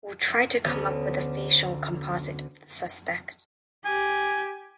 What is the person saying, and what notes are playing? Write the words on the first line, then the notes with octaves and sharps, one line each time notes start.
We’ll try to come up with a facial composite of the suspect.
D2 B3 C#4
G4 G#5